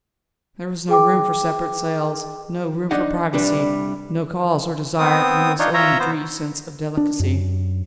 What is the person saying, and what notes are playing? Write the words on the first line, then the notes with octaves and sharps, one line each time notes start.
There was no room for separate cells, no room for privacy, no cause or desire for the most elementary sense of delicacy.
G#4 G5 D6
D4 D#4 D#5 F#5
C2 G3 D4 B4
B3 C4 D#6
D4 D#4 F4 C#5
F4 C#5 E5 A#5
B3 C5
D4
F#2